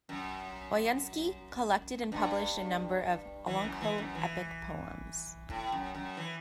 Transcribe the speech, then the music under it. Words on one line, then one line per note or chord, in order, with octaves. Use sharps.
Oyunsky collected and published a number of Olonkho epic poems.
F#2
G2
E3
F#2
E3
F#2
E3
A2
F#2
F#2
E3